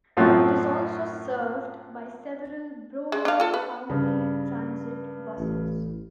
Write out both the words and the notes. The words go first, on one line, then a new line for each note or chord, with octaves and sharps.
It is also served by several Broward County Transit buses.
F#2 A2 F3 F#3 C4
G#3
D4 F5
F4 A4
B4
G2 C#3
A1